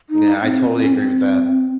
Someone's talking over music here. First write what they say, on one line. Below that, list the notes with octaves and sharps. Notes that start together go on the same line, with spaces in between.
Yeah, I totally agree with that.
D#4
C4
C4
C#4
C4